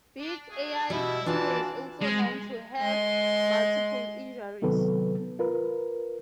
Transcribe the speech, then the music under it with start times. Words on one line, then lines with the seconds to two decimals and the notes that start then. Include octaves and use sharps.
Big Al Two is also known to have multiple injuries.
0.19 D4
0.50 A3 F#4 G#4
0.90 B2 G3 E4
1.26 E3 D4 F4 F#4 D5 A5
2.02 G#3
2.80 G#3 C6
4.62 C3 D#3 F#3 B3 A4 B4
5.39 F4 A#4 B4